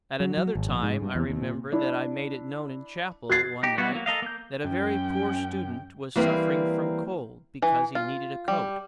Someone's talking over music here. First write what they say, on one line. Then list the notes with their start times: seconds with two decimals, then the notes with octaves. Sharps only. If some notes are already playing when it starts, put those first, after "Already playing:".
At another time I remember that I made it known in chapel, one night, that a very poor student was suffering from cold, because he needed a coat.
0.20 F#3
0.37 F#3
0.55 G#1
0.69 A#1
0.82 G#2
1.01 G2
1.15 E2
1.30 D#2
1.42 A#2
1.72 D4 E4
3.30 F#4 F#6 G#6 A6 C7
3.63 D#4 G4
3.78 G3 B3 E4 F#4
3.92 F#3 A#3
4.06 A4 A#4 D#5 F5
4.22 A#3 G6
4.64 F#2 C#4 G5
6.16 E3 G3 A#3 C4 B4
7.62 E3
7.95 F4
8.48 G3